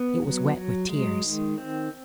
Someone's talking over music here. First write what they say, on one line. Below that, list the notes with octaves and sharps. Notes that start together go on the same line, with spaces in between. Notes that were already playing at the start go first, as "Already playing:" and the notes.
It was wet with tears.
Already playing: B3
F#3
F#3
G#3
D#3
C4